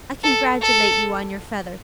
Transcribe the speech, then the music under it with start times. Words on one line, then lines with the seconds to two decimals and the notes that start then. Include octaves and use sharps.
I congratulate you on your feathers.
0.24 A4
0.62 A4